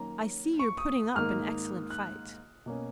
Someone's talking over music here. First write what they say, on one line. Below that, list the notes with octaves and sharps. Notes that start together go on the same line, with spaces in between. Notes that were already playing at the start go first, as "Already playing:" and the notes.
"I see you're putting up an excellent fight."
Already playing: D#3 F#3 A#3 C#4 A#5
C#6
D#6
G#2 D#3 A#3 F6
F#6
B2 A#3 C#4